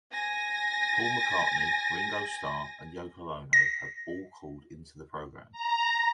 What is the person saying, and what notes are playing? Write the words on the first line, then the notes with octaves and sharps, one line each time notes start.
Paul McCartney, Ringo Starr, and Yoko Ono have all called into the program.
G#5 A#6
A#6
A#5